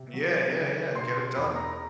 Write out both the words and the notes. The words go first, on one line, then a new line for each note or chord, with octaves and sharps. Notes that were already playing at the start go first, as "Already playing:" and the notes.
Yeah, yeah, yeah, get it done.
Already playing: C3
F#3
C#3
B2 C6
C6
E2 B5
A#5